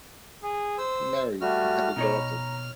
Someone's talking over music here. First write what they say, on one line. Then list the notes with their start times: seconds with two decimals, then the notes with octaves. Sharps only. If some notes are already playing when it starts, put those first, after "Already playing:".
He married and had a daughter.
0.42 G#4
0.78 C5 E6
1.41 G3 A3 F#4 F6
1.96 B2 D#4 C#5 A#5